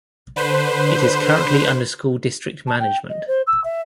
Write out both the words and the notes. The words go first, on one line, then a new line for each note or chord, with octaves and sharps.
It is currently under School District management.
D3 B4 C5
A5
G5
D#5
C5
E6
E5